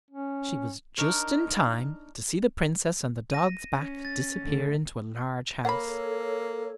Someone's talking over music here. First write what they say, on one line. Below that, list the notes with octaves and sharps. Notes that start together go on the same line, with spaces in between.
She was just in time to see the Princess on the dog's back disappear into a large house.
C#4
D4 D#4 A#4 C#5
A#6 D#7
C#4
A6
D3 A3
A#3 A4 C#5 F#5 B5